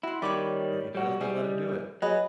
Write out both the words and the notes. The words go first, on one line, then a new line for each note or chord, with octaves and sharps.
If he does then let him do it!
E4 F#4 C6
D#3 G3 C#5 B5 D6
G3 F#4
G3 E4 G#4 D#5
F#3 G#4 B4 D#5